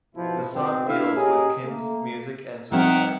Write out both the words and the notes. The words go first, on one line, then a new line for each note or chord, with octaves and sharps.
The song deals with Kim's music and suicide.
G#2 B2 F3 E4
G#2 B2 C4
A3 D4 E4 E5 F5
C#4 G4 G#4 A#4 D#5
A3 A#3
D#3 F3 G3 C4 E5 F#5